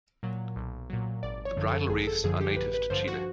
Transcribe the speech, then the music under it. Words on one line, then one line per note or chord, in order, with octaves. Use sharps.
The bridal wreaths are native to Chile.
A#2 F#3
B1
A#2 F#3
G#1 D5
C#5
F#2 D3 F3
A4
G#1 G#4
A4
F#2 D3 F3 G#4
G4
A1 B4
B4
G2 D3 F3 C5
F#4